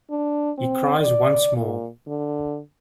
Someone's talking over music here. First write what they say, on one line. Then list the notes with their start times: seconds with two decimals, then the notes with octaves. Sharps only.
He cries once more.
0.11 D4
0.58 C4
1.01 D5
1.57 A#2
2.07 D3